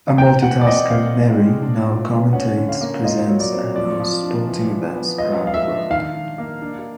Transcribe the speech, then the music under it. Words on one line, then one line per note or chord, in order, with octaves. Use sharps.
A multi tasker Merry now commentates, presents and hosts sporting events around the world.
E3 G5
E3 F#5
D5
C4 D#5
C4 F5
A2
G#3
D4
A#2
B3
C#4 F#5
D3
F5
A#3
F4 D#5
F#3
D5
C4
F3 D5
F3
D4
E3
E3
B3
F4 D#5
F3 F5
E5
D4
D#3 F5
D#3
A#3
D4